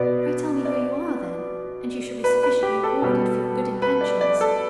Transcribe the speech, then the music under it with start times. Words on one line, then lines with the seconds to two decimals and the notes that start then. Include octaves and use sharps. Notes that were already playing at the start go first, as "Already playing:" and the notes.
"Pray tell me who you are, then, and you shall be sufficiently rewarded for your good intentions."
Already playing: B2 B3 D5
0.65 D5
2.24 B4
2.43 B4
2.63 G4
2.83 A4
3.02 B2 G3 B3
3.82 B4
4.01 D5
4.21 D5
4.41 A4